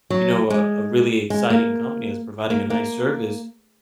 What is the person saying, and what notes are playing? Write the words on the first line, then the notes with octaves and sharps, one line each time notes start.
you know, a a really exciting company that's providing a nice service,
F#3
G#3
G#3
A#3
A#3
A#3